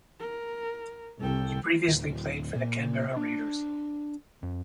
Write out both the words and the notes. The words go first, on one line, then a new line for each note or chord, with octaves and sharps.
He previously played for the Canberra Raiders.
A#4
C2 A4 G5
D1
A#2
D4
F2